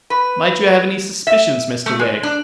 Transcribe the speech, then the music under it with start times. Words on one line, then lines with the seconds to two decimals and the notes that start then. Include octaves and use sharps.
'Might you have any suspicions, Mr Wegg?'
0.10 B4
1.27 E5
1.86 A3
1.99 G#3
2.23 D4